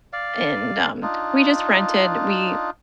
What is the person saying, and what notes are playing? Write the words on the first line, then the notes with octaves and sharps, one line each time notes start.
and, um, we just rented we
D5 F5
D4 D#4 F4